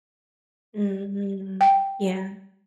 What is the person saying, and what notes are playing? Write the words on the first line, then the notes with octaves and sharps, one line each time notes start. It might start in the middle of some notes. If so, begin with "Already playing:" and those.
Mhm. Yeah.
G5